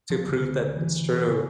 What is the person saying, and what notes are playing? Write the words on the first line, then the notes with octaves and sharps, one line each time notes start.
to prove that it's true."
F3
D2 C#3
E3
C#3